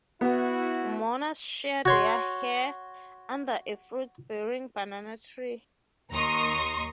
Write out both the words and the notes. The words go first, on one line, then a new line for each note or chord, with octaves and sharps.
Mourners shear their hair under a fruit-bearing banana tree.
B3 E4 F#4
F#4 C#5 C6
D#2 A#5 C6 C#6 D#6